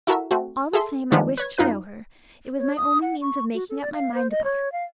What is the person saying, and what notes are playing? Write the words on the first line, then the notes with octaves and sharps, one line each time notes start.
All the same, I wished to know her; it was my only means of making up my mind about her.
E4 F#4 A4 A#4 E5
A3 C4 F#4
G#4 A4 E5 C6
G2 D#3 F3 G#3 B3 D4
B4 C#5 G#6
F#2 D#4 F4 B4 F#6 D#7
C#5
D#6
F#5
C#6
F#4
A4
D5
F5
C5
D#5
C#5
F5